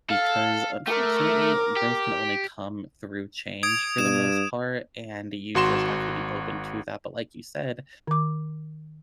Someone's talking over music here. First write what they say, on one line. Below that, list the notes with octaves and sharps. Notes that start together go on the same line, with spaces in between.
because, unfortunately, growth can only come through change, for the most part, and th you just have to be open to that, but like you said,
A4 F5
A3 A#4 D6
G4
D#6 G#6 D7
G2 E7
G#1 F#4 C6 E7
D#3 D6